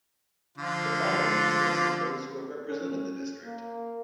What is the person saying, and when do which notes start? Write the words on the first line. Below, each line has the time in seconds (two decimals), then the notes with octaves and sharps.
The following is a list of those who have represented the district.
0.58 D3 F3 F4
2.68 C#4
3.45 A#3